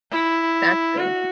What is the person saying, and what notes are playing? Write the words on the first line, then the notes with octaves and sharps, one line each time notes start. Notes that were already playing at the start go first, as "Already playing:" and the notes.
That's really neat.
E4
F#4